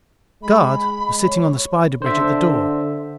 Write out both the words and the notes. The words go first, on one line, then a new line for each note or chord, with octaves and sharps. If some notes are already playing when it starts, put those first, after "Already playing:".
"The guard was sitting on the spider bridge at the door."
G#3 B5
C#5
D3 C5 E5